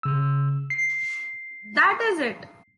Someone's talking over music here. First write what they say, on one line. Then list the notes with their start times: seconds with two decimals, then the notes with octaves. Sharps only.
That is it.
0.03 C#3 E6
0.70 C7